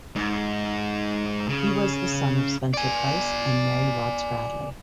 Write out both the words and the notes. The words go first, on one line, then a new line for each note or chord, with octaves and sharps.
He was the son of Spencer Price and Mary Watts Bradley.
G#2
C#3
D5 G#5